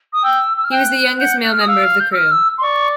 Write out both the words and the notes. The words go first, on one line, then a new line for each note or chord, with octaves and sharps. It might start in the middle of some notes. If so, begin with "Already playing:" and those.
He was the youngest male member of the crew.
D#6
G5 E6
E6
F6
G5 F#6
F#5 G6
F#6
F6
D#6
F5 E6
F6
G6
E6
F6
E6
C6
D5 C#6